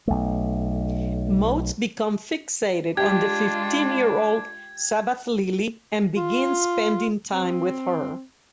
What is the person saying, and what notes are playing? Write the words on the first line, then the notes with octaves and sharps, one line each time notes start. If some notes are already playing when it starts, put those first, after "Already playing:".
Motes becomes fixated on the fifteen-year-old Sabbath Lily and begins spending time with her.
B1 A3
G#3 D4 F4 G4 G#6
F4
C4